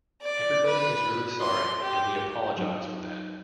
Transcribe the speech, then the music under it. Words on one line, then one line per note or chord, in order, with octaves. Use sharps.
Everybody is really sorry and we apologise for that.
D5
B4
C6
G4
F#3 D#4